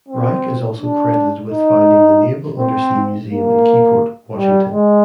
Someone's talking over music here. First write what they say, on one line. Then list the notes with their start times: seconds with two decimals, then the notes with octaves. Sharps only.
Reich is also credited with founding the Naval Undersea Museum in Keyport, Washington.
0.08 C4
0.80 D4
1.51 D#4
2.58 C4
3.29 A#3
4.36 G3
4.72 G#3